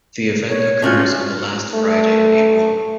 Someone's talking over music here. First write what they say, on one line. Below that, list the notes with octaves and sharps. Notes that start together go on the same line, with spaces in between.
The event occurs on the last Friday in April.
C#5
A2 C#4 F4 F#4
A3